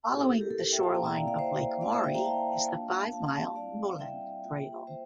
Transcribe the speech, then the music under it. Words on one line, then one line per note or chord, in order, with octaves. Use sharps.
Following the shoreline of Lake Maury is the five-mile Noland Trail.
A#3 E4 G4
A4
A4
G4 A#4
A4
A4
E5 G5
F5 A5
A#3 E4 G5 A#5
E5 G5
D5 F5
D5 F5
C5 E5
A#3 E4 D5 F5
C5 E5
E5 G5
G5 A#5
F5 A5
A#3 D4 F4
F5 A5
F5 A5
F5 A5
G3 C4 E4 D5 F5
E5 G5
A#3 F4
C5 E5